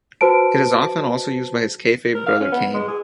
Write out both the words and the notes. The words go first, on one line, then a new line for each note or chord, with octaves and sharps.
It is often also used by his kayfabe brother Kane.
F#4 B4 C5 A5 D7
A#4
F5
C#4
B3
G#3
G#4